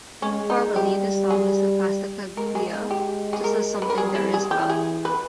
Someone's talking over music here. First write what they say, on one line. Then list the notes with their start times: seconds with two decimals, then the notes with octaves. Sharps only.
Formally this song is a passacaglia, just as "Something There Is About You".
0.22 G#3 C#4
0.50 D#4
0.76 G3 G4
1.30 G#4
2.37 G#3 A#4
2.55 G#4
2.73 D#4
2.90 G4
3.33 G#4
3.44 A#4
3.82 B4
3.89 A#4
3.97 G3 G#4
4.15 E4
4.34 G#4
4.51 E3 G4
4.69 G#4
5.05 B4